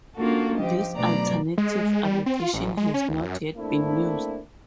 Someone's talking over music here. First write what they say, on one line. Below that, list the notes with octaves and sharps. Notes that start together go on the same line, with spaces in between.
This alternative allocation has not yet been used.
A#3 C#4 D4 F4 F#4 A4
F3 G4 D#5
B2 F#3 A3 D4 D5 A#5
G#3
G#3
G3
C4
F4
A1
G#3
C#4
D2
F#2
A3 A#3 C4 D4 E4